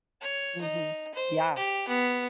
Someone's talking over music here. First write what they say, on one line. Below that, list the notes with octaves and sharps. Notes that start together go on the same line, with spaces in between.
Mhm. Yeah.
C#5
D#4
C5
G4
B3